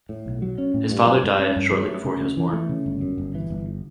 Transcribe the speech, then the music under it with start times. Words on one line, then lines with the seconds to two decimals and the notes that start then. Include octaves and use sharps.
His father died shortly before he was born.
0.09 A2
0.26 B1
0.42 F#3
0.58 C#4
0.74 A2
0.91 G2
1.06 F#3
1.23 G2
1.39 C#4
1.56 G2
1.72 F#3
1.88 A3
2.05 C#3
2.21 D2
2.37 E3
2.53 A3
2.69 C#3
2.86 G1
3.01 F#2
3.18 G1
3.35 E3
3.50 G1